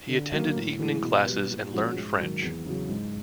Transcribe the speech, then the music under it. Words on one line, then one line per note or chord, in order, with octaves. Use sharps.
He attended evening classes and learned French.
D3
F#3 A#3
A2
E3 G#3
B2
G3 B3
A#2
F3 G#3 C#4 F#4
G#2
D#3 F#3
E2
C#3 F#3
G#2